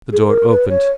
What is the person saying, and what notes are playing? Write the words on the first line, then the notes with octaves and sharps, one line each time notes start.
The door opened.
G#4
A4
A#4
B4
C#5